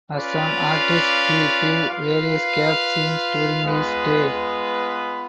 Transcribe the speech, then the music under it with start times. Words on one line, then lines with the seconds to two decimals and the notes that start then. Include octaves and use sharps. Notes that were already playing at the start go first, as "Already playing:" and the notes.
As an artist he drew various Cape scenes during his stay.
0.11 C#4 F4 B4 D5 F5
1.87 F4 B4 F5
3.63 G#3 B3 F4 B4